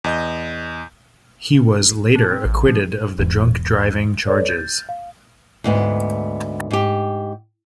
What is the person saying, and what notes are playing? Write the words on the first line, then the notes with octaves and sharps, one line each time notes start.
He was later acquitted of the drunk driving charges.
E2 D#5 G6
D4
C4
A1
F3
E1 E2 G#2 E3
A4 B4 C#5 D5
G6 A6
F5
D2 G#2 B3
G#2 G4